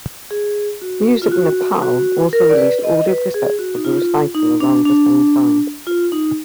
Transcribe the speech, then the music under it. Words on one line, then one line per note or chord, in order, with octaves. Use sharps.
Music Nepal also released audio cassettes of the recital around the same time.
G#4
F#4
F4
F#4
F#4
A#4
D5
B4
D#5
B4
G#4
F#4
D#4
F4
D#4
D4
D4
F4
D#4